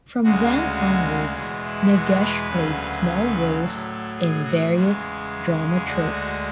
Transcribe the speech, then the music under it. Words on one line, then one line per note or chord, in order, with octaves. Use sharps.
From then onwards, Nagesh played small roles in various drama troupes.
D2 C#3 G#3 F#4
E2 B2 G#3
E4
F#4
B4
D2 C#3 F#3
A2 F#3 A4
G#4
F#4
E2 C#3 G#3
D2 D3 G#3 F#4
F#4